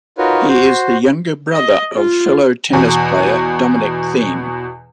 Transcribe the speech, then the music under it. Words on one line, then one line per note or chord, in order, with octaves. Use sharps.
He is the younger brother of fellow tennis player Dominic Thiem.
D#4 F4 F#4 A#4 B4 C#5
F#4 C5
D#5
F4
E2 B2